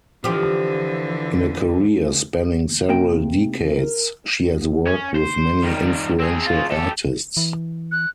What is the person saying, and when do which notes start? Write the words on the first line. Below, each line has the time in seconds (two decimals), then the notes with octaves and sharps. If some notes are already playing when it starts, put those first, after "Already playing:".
In a career spanning several decades, she has worked with many influential artists.
0.24 D3 E3 F3 G4
2.89 C3 A#3 G5
3.66 A#4
4.87 C#4
5.15 C5
5.64 D#3 G3
6.19 C4 G#4
6.46 C#3 F4
6.71 G4 A4
7.37 E3
7.92 F#6